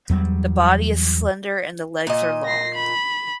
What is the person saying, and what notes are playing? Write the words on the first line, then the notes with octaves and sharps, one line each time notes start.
The body is slender and the legs are long.
E2 F#3 G3
A#2 D#5
A#6 C7
B5